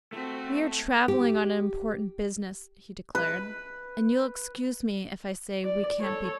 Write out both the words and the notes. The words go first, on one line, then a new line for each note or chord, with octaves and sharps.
"We are traveling on important business," he declared, "and you'll excuse me if I say we can't be bothered."
A3 C4 F#4
G4
B4
D5
A4 C#5